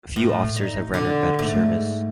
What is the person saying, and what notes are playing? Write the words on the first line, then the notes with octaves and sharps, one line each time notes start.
Few officers have rendered better service.
A2
D#4
D3
G#2 A3